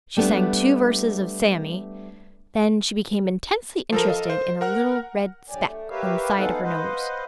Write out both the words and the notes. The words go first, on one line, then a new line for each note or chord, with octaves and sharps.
She sang two verses of "Sammy." Then she became intensely interested in a little red speck on the side of her nose.
G3 A3 B3 D4
F3 A4 A#4
A4 D#5 F5
C5
A#4 F#5 F6
F2 D3 F#3 G4 D5 G#5
A3
G4 A#4 B4 C#5 E5 F5
G#3 B3 D#4 A4 F5 F#5
B4 C5 D#5 F5 F#5